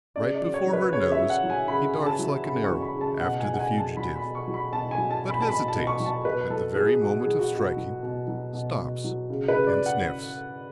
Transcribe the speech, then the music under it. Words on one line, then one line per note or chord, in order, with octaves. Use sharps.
Right before her nose he darts like an arrow after the fugitive, but hesitates at the very moment of striking, stops, and sniffs.
C#3 D5
D5
F#3
C#5
F#3
B4
C#3 C#5
E5
F#3
F#5
F#3
G#5
C#3 B5
C#3
A5
F#3
C#3 B5
C#6
F#3
B5
C#3
A5
B2 F#5
G#5
F#3
F#5
G#5
B2
A5
F#3 B5
B5
B2
C#6
F#3
B5
B2 A5
G#5
F#3
A5
B2
B5
A5
B2 B5
A5
B2
C#6
F#3
A5
B2 B4
F#3 A4
F#3 G#4
B2 F#4
G#4
F#3
F#4
B2
F#4
F#3
B2
F#3
B2
B2
F#3
C#3
B4
C#3
D5
C#3
F#5